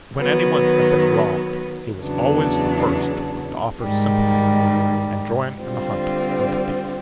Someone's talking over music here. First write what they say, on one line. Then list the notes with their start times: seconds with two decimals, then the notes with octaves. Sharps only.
When any one had been robbed, he was always the first to offer sympathy and join in the hunt for the thief.
0.18 D#3 F#3 B3
2.00 E2 C#3 F#3 B3 D4
3.81 G#2 D#3 G3
5.60 D3 G3 C4 F4